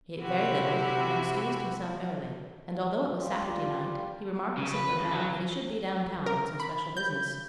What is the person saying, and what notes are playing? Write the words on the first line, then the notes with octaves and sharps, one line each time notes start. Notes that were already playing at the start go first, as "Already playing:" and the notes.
He ate very little and excused himself early, and although it was Saturday night, he remarked as he went out that he should be down town on some special business.
C3 E4 F#4 G4
G3 D4 F4 G4
C#3
B4
F2
F#3
A#4
B5
G6